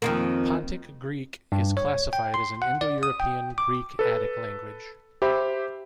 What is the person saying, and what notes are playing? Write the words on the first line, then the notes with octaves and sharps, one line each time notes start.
Pontic Greek is classified as an Indo-European, Greek, Attic language.
F2 D#3 A#3
G2
C#5
G5
C6
F#5
D5
D#6
G5
D6
A4 B4
G4 C5 E5 B5